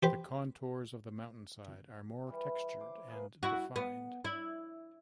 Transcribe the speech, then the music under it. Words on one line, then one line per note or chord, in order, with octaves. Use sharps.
The contours of the mountainside are more textured and defined.
G4 B4 C5
E3 G3
C5 D6
A#3 G#4 B4
E4 F#4
B3
E4